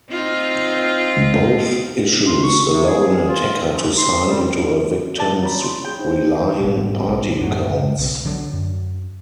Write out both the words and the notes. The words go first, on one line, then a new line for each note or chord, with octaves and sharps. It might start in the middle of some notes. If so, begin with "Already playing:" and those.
Both issues allow an attacker to sign into a victim's relying party accounts.
C4 D#4 F4
C6
C#6
C3
G#4
G#4
F4
F#2
C6
G3
D5 A5
C#5 A#5 B5
C6
G#4 G5
D#4 C5
G#1 B2
B1
F#2 A2 F#3
B1
D3 F#3 D4
F#2